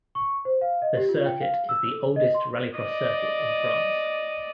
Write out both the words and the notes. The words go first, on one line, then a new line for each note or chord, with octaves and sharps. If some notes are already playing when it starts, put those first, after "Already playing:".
The circuit is the oldest Rallycross circuit in France.
C#6
C5
F5
D#5
G4
F4
G5
F5
E6
A4
D#5
C6
D5 D#5